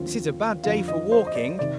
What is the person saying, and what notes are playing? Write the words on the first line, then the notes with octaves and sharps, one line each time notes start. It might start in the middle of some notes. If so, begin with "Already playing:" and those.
'This is a bad day for walking!
Already playing: D#2 D3 F3 C4 F4
F2 D3 F3 F5
D#5
C5
D#5
D5
C3 D#3 D5